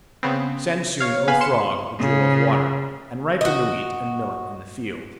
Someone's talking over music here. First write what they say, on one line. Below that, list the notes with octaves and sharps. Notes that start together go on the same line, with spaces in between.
"Send soon, O frog, the jewel of water! And ripen the wheat and millet in the field."
C#3 B3 C4
C#5 F5
B3 B4 F5 G#5 B5
C6 C#7 E7
C#3
F#4 D#5